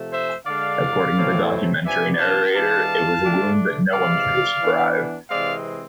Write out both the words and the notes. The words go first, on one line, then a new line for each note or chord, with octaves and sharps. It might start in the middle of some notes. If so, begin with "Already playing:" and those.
According to the documentary narrator, It was a wound no one could have survived.
Already playing: C3 F3 A3
C5 E5
D3 G#3 D4 D5 F5
A2 E3 A3 C4
C3 F3 B3 D4 E5 G#5
F5 A5
E3 G#3 B3 D4 F5 A5
D3 A3 D4
C3 E3 G#3 D5 F5
E3 B3 D4
C3 E3 G#3 C4 D5 F5